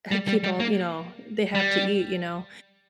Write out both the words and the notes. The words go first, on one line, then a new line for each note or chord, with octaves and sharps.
Uh, keep all you know, they have to eat, you know,
G3
G3
G3
A#3
G3